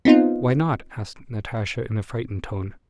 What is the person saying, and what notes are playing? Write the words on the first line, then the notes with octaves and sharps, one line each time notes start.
"Why not?" asked Natasha in a frightened tone.
B3 C4 D#4 F4